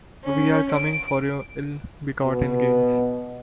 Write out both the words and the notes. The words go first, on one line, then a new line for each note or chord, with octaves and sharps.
We are coming for your ill-begotten gains.
C#4
D7
B2